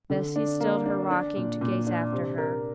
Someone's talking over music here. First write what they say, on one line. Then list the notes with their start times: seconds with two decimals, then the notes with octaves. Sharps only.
Bessy stilled her rocking to gaze after her.
0.10 D3
0.36 D4
0.60 A#3
0.86 D4
1.11 D4
1.36 A#2
1.61 A#2
1.87 D4
2.12 C3
2.38 A#4